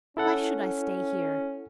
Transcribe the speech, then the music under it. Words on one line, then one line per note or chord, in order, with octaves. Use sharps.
Why should I stay here?
C#4 E4 A4 F#5